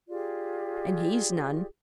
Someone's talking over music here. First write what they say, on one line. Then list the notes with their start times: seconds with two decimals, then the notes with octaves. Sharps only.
And he's none.
0.09 F4 G4 G#4 D5